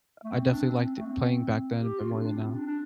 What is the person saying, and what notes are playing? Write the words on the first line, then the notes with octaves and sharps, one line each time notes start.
I definitely liked it playing back then a bit more than now.
A3
C4
D4
C4
C4
A3
C4
G4
F4
C4
D4
C4
D4
D4